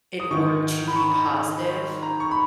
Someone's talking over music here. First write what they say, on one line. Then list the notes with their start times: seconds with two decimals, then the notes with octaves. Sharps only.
in order to be positive,
0.20 D#6
0.31 G#2 D#3 C#6
0.88 B5
0.96 C#6
1.03 B5
2.03 A#5
2.20 C#6
2.31 B5